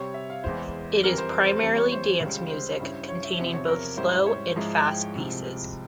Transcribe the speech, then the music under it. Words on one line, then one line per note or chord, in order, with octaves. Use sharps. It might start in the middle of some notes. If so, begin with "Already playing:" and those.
It is primarily dance music, containing both slow and fast pieces.
Already playing: C3 G3 C4 C#5
E5
F5
E2 E3 G#3 E4 C5
F2 E3 G3 A#4
C5
C5
C5
F2 E3 G3
C#5
C5
C#2 C#3 G3
C5
G2 G3 C#4 E4
C#5
E5
E2 C3 F3 C4 E5
C#5
A#4
G#2 G3 C#4 E4 C5
C#5
G#2 F3 G#3 E4
G5
C2 C3 F3 G#3